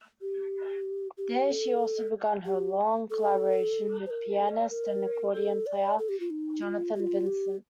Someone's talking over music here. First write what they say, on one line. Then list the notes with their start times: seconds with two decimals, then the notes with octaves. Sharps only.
There she also began her long collaboration with pianist and accordion player Jonathan Vincent.
0.21 G4
1.18 G4
1.50 A4
2.45 G4
3.10 A4
4.06 C5
4.10 A#4
4.38 A4
4.49 D#5
4.60 D5
4.70 A#4
5.34 A4
5.66 D5
5.99 A4
6.09 G4
6.20 F4
6.30 D#4
6.62 F4
6.95 G4
7.00 F4
7.27 G4